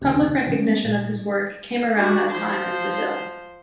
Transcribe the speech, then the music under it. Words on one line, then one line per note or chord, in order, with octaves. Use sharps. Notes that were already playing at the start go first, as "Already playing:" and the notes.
Public recognition of his work came around that time in Brazil.
F#1 D#2 C3
D3 F3 C#4
G#3 A3 B3 C#4
A#2 G3
D4 F#4
F3 C5